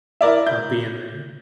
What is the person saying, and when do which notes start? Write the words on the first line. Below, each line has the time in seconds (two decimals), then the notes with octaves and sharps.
of being there.
0.21 E4 A#4 D5 E5
0.46 G6